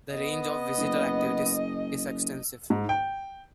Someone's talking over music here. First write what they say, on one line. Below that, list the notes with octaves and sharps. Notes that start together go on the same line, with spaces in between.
The range of visitor activities is extensive.
B3 D#5
F#1
G#2
G5